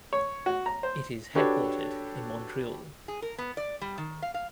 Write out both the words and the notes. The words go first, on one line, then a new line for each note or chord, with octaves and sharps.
It is headquartered in Montreal.
C#5
F#4
A#5
C5
D4 F#4 G4 A4 B4 C#5
G#4
A#4
B3
D5
G3
D#3
F5
F5